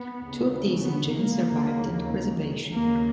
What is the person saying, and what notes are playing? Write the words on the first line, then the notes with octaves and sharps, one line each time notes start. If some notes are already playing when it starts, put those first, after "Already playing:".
Two of these engines survived into preservation.
Already playing: B3
D#2 C#3
B3
A#3
D#2 C#3
D#2 C#3 A#3